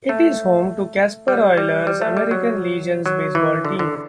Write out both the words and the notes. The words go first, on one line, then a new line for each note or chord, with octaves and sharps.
It is home to the Casper Oilers American Legion Baseball team.
A3
G3
G3
G3
A3
G3
F#3
F#3
E3
D3
D3